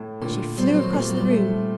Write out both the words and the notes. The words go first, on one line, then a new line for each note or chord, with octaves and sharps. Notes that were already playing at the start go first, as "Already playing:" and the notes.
She flew across the room.
Already playing: A2
A#2 D3
G3 C4
F#3
D#3
F#3
A#2 A3
G3
F#3
G3
A3